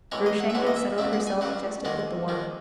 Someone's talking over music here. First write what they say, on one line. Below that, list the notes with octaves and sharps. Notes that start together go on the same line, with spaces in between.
Grushenka settled herself just at the door.
B1 A2 E3 G#3 C#5
D#5
F#5
E5
B1 A2 E3 G#3 F#5
D#5
E5
C#2 C#3 F#3 E5
F#5
G#5
C#2 C#3 F#3 F#5
D#2 D#3 G#3 F#5
D#2 D#3 G#3